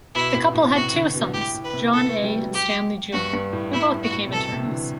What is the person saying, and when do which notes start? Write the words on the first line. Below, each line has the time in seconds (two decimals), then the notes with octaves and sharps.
The couple had two sons, John A. and Stanley Junior who both became attorneys.
0.15 B2 E4
0.35 A2
0.54 A2
0.74 C3 F#4
0.94 D3
1.14 B2
1.34 A2 G4
1.54 A2
1.64 B4
1.73 C3
1.94 B3 A4
2.09 A3
2.23 G3
2.39 F#3
2.54 G4
3.13 G2 F#4
3.33 G2
3.53 A2
3.73 A2 E4
3.92 G2
4.03 F#4
4.12 A2
4.27 C3
4.32 B2 A4
4.52 C3
4.65 D3
4.72 E3